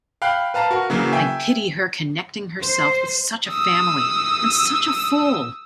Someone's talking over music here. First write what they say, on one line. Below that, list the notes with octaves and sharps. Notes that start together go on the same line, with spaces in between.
I pity her connecting herself with such a Family, and such a fool!
F5 G5 B5 F#6
B4 F5 A5 A#5
F#4 A#4
C#3 E3 F#3 A#3
E5 G5 G#5
C5
D#6 E6